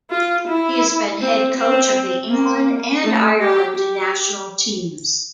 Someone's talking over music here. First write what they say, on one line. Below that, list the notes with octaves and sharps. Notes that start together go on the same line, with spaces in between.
He has been head coach of the England and Ireland national teams.
F4
E4
C4
C4
A#3
A3
G4
G4